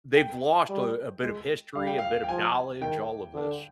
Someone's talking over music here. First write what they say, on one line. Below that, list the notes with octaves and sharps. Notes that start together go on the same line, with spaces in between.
they've lost a a bit of history, a bit of knowledge, all of this.
G5
G3
G#3
G3 F5
G5
F5
G5
F3 G#5
D#3 G5
D3